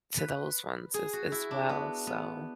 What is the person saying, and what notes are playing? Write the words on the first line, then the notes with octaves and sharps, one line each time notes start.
to those ones as as well, so
B4
G#4
F#4
E4
D4
B3
B3